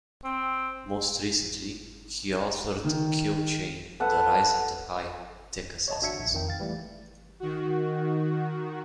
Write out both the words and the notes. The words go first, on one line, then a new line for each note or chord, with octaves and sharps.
Most recently, he authored Kill Chain - The Rise of the High-Tech Assassins.
C4
D#3
A4 B4 F#5 A5
C#5 D#5 A5
G#1 D4 F#4 E5 G#6 C#7
A#1
F2 D#3 G5
F5 A6
E3 G3 A3
D#3 F#4